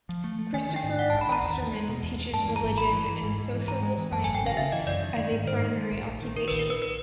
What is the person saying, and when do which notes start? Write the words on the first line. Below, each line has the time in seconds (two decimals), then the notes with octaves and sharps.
Kristoffer Osterman teaches religion and social sciences as a primary occupation.
0.09 F3
0.24 A3
0.39 A3
0.54 D#3 G#5
0.69 D#3
0.76 G5
0.84 G#2
0.99 G#2 F#5
1.10 A5
1.13 A#1
1.21 B5
1.28 D#3 A#5
1.43 E2
1.58 E2
1.74 G#3
1.88 B2
2.03 E2
2.18 E2
2.33 G2 A5
2.48 E3
2.56 A#5
2.63 G#1
2.78 G2 B5
2.93 E3
3.08 E3
3.23 G#2
3.38 G#2
3.53 E3
3.68 G#2 A#5
3.83 G#3
3.98 E3
4.12 F#2 A5
4.24 G#5
4.27 G#1
4.35 G5
4.42 C#3 F5
4.57 C#3 E5
4.72 E3 D#5
4.87 F#2 D5
5.02 D#3
5.17 D#3
5.32 G#2
5.47 G#2 C5
5.62 D#3
5.77 G#3
5.92 A#1
6.07 A#1
6.22 D#3
6.36 D#3 A#4
6.48 B4
6.51 A#1
6.59 A#4
6.67 A#1 B4
6.82 B4